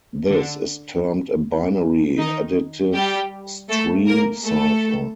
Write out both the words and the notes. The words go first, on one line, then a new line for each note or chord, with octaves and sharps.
This is termed a binary additive stream cipher.
D3 D4
D#3 D#4
G3 G4
A3 A4
A#3 A#4
A3 A4